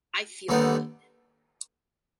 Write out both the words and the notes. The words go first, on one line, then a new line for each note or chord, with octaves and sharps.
I Feel Good!
D#2 D3 G3 B3 D#4